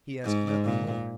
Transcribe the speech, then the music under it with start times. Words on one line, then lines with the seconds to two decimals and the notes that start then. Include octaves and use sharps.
He asked nothing more!
0.23 G#2
0.64 A#2